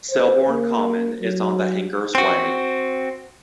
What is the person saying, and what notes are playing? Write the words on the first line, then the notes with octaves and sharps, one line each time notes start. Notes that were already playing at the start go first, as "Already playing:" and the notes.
Selborne Common is on the Hangers Way.
C5
A#3
F#3
C4 F#4